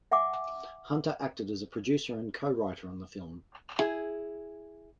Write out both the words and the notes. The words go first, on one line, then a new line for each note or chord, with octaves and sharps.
Hunter acted as a producer and co-writer on the film.
E5 F#5 G#5 D6
E4 G#4